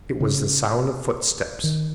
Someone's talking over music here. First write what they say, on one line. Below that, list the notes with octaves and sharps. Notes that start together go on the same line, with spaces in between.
It was the sound of footsteps!
C#3
D#3